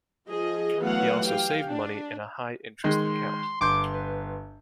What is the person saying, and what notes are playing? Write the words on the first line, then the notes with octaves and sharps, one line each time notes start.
He also saved money in a high interest account.
F3 G#4 D#5
E3 F#3 A3 B3 F5 F#5
G4 F5 G5
D4
D#3 G#3 C6
G1 C6 D6 G6
B4